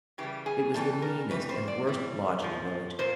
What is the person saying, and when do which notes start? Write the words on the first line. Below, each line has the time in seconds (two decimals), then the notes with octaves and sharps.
It was the meanest and worst lodge in the village.
0.18 C#3 E3 G3 G4
0.46 G#4
0.74 C#3 E3 G3 A4
1.02 A#4
1.30 C#3 E3 G3 B4
1.49 C5
1.68 D5
1.87 C#3 E3 G3
2.42 A#2 F3
2.99 A#2 F3 C5